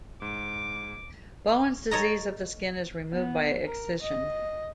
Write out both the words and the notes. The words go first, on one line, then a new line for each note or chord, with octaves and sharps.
Bowen's disease of the skin is removed by excision.
G#2 D6
A4 C#5 D#5 A#5
B3
A#4
D#5